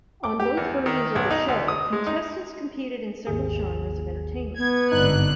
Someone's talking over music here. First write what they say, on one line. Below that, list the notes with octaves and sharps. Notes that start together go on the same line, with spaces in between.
On both versions of the show, contestants competed in several genres of entertainment.
D6
G4
E2
D#3
B1
D#4
D2
D#6
G#3
D#4
G#1 D#2 G#4
B3 G#6
G#1 G2 D3 D#4 F#6